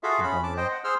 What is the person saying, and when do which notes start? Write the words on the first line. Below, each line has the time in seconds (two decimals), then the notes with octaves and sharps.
sometime ago.
0.03 F4 F#4 G#4 A4 E5 F5
0.23 C#4 B5
0.43 A5 D6
0.57 C5 D#5 G5
0.71 F#5
0.84 G#4 C5 C6 E6 F6